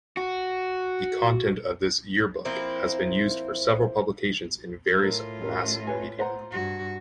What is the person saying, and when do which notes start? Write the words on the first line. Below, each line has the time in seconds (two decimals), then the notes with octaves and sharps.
The content of this year-book has been used for several publications in various mass-media.
0.17 F#4
2.45 F3 A#3 C4 E4
4.99 A2 F4 A#4 E6
5.41 A1 C#4 A#4
5.87 B4 C#5 G#5
6.19 C5 F#5 A#5
6.51 G2 F#4